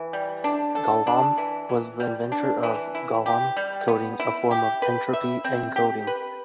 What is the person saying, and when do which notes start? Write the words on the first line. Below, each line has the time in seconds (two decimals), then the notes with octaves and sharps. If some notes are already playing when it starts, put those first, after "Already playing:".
Golomb was the inventor of Golomb coding, a form of entropy encoding.
Already playing: E3
0.13 G3
0.44 D4
0.75 A4
1.07 D4
1.38 E3
1.69 E3
2.00 G3
2.32 D4
2.63 E3
2.95 E4
3.26 G4
3.57 G3
3.88 B3
4.20 E4
4.51 G4
4.82 B4
5.13 E5
5.44 C4
5.76 G4
6.07 B4